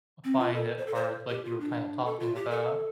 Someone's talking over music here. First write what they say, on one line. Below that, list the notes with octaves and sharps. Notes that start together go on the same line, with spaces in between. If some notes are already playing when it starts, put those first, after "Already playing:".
find it hard, like you were kinda talking about.
C4
F4
A4
C5
A4
C5
G4
F4
D4
A4
F4
G4
A4